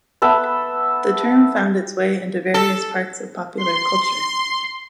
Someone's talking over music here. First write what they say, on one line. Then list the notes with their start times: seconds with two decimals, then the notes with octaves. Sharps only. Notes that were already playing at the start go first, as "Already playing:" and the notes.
The term found its way into various parts of popular culture.
0.22 B3 A4 E5
2.54 A4
3.58 C6